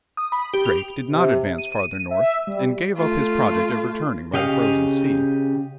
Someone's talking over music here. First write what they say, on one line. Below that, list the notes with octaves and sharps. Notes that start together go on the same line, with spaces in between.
Drake did not advance farther north and gave up his project of returning by the Frozen Sea.
D#6
B5
G4
F7
C3
D#7
E5
G3
A3 F4
C#3 G4 D#5 F5